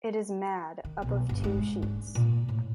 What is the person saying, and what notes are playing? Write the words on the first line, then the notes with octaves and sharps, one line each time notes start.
It is mad up of two sheets.
D#3
B1
G1
G#2
D4
A#2
A2